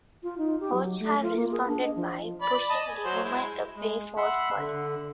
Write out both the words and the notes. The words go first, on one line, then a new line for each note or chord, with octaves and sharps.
Bouchard responded by pushing the woman away forcefully.
F4
D#4
G4
F#3
A3
F4
A#3
G#4
D4
D#5
F3
D5 B5
D#5 A5
G#5
F#3 C5
G#3 E4
G#3
E5 F#5 B5 C6 F#6
D3